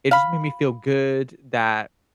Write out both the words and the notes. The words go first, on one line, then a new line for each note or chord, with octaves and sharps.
it just made me feel good that
F5 B5